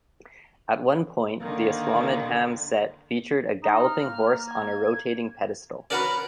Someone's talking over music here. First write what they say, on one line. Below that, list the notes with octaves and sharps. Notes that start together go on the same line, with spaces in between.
At one point, the "Aswamedham" set featured a galloping horse on a rotating pedestal.
D3 D#3 A#3
D#4
F6
A#3
G#6
C#4 F#4 A#4 B4 D5